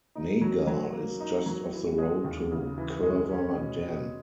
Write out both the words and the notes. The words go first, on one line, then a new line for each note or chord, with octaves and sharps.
Nagar and just off the road to Kerwa Dam.
D#4
F#3
F#3
A#3
D#4
F#3
E3
G#3
D#2
C#3
E3
G#3
C#4
B2
B2